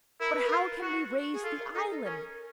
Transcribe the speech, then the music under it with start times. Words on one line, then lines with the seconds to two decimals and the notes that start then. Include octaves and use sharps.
"But how can we raise the island?"
0.20 E4 A#4
0.33 B4
0.46 F4 A#4
0.82 F#4
1.33 G#4
1.44 F4 A4
1.59 A#4
1.74 D#4 A4
1.91 A4
2.05 C#4 A#4